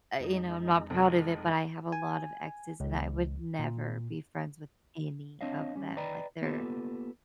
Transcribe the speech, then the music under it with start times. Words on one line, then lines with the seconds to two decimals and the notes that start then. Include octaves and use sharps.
I you know, I'm not proud of it, but I have a lot of exes, and I would never be friends with any of them, like, they're
0.20 F2 G#3 D#4
0.90 F1
1.92 G#5
2.80 C#2
3.59 A#2
5.41 C4 D4 C#5 D#5 F5
5.76 G3 C#4
5.97 B4 D5 D#5 G5 A#5 B5
6.42 A#3 B3 F4 G4 A4 B4